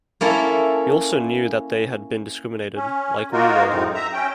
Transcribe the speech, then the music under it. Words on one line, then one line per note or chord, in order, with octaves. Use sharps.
We also knew that they had been discriminated, like we were.
A#3 C#4 E4 A4
C#4
A#3 D#4 F4 F#4 A#4
F#2 A2 G#3 C4 D#4
E5 A#5
C#4 G5